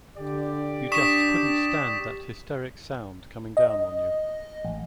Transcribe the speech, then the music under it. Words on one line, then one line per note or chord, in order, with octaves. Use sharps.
You just couldn't stand that hysteric sound coming down on you.
D3 G4 D5
D4 C#6 D#6 B6 E7
D#5
A1